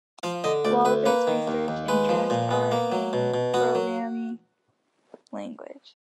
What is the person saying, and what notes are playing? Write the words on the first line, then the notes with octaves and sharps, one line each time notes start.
Wadler's research interests are in programming languages.
F3 F5
D3 D#5
D2 D5
D2 B4
A#3 B4
D#3
D#2
D#2
G#3 B4
F3
A#2
B3
A#3
F#3
B2
B2
B3 F#4
F#3